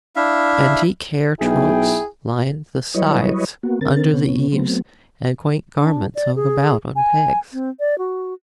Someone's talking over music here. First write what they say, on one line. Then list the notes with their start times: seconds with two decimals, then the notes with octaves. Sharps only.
Antique hair trunks lined the sides, under the eaves, and quaint garments hung about on pegs.
0.16 D4 E4 E5 F5
1.41 B1 E4 G#4 G5
2.94 F#3 G3 E4 B4 C#5 D#5
3.63 A#3 B3 F#4
3.81 D3 C4 A#4 A6
4.14 C3 B3 C#4
4.52 F#3 A3 B3 C4
5.79 D4
6.15 D5
6.35 G#4
6.96 G#5
7.53 C4
7.80 D5
7.98 F#4